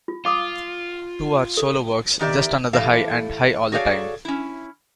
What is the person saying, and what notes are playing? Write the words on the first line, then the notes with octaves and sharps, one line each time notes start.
Two are solo works: "Just Another High" and "High All The Time".
F4
F4 F5 D6 D#6
A4
E2 D#3 G4 D5 E5
A2 E3 G4 A4 F5 A5
F#4 G#4 A4 C#5 D5 F5
C#4 E4